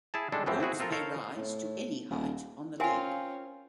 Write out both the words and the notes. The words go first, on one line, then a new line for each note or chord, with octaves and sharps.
The boots may rise to any height on the leg.
E4 G#4 A5
G3 G#3 D4 A4
F#2 A2 E3 F3 C4
C4 E4 F#4 G#4
C4 F4 A4 A#4
A4 A#4 C5 C#5 F5
A2
D#1
C4 C#4 F4 A#4 F5 G#5